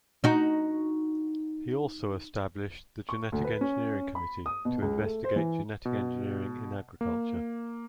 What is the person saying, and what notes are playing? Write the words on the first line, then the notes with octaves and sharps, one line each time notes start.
He also established the Genetic Engineering Committee to investigate Genetic Engineering in Agriculture.
D#4 F#4
C#6
D2
B4
C#4
B5
D#6
B2
C#2
A3
C5
E3
B2
A#3